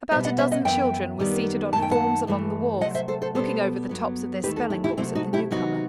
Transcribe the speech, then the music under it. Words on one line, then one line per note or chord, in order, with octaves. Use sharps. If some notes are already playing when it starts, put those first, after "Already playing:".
About a dozen children were seated on forms along the walls, looking over the tops of their spelling-books at the newcomer.
B2 G3 B3 C5 E5
D#5 F#5
C5 E5
D#5 F#5
F#2 E3 B3 E5 G5
F#2 D#3 G3 B3
F#2 D#3 A3 A5
G5
F#5 A5
G2 E3 A3
C3 F#3 A3 D#5 F#5
C5 E5
A4 C5
A4 C5
B2 G3 B3 A4 C5
G2 F#3 B3
E2 D#3 A3 G4 B4
F#4 A4
E4 G4
E4 G4
C3 F#3 A3 C4 E4
D#4 F#4
E4 G4
C3 F#3 B3 D#4 F#4